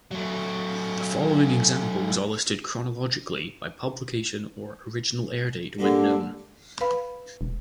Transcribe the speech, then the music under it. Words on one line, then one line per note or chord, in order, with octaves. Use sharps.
The following examples are listed chronologically by publication or original air date, when known.
F#3 A3
G2 A#2 D3 G#3
B4 F5 B5
E1